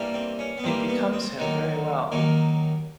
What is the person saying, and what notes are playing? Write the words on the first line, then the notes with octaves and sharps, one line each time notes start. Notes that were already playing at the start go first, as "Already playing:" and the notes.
It becomes him very well.
Already playing: G2 E3 G3 A#3
C4
C#4
B3
G2 E3 G3 A#3 C4
B3
C4
D#2 D#3 F#3 A#3
D#2 D#3 F#3 A#3